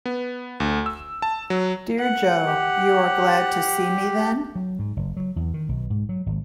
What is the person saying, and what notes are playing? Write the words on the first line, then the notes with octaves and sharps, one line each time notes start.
Dear Jo, you are glad to see me, then?
B3
D2
E6
A5
F#3
F#5
G4
F#3
G#2
F#1
F#3
E2
D#3
B1
G#2
F#3
G#1